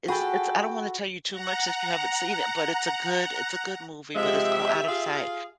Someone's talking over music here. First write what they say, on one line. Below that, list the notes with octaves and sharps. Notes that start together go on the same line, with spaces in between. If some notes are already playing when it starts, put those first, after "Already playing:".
it's it's I don't wanna tell you too much since you haven't seen it, but it's a good it's a good movie, but it's called Out of Sight.
F#4 G#4 A4 G5 B5
F#5 A#5
C3 F3 G#3 G4 E5
F4 G#4 F5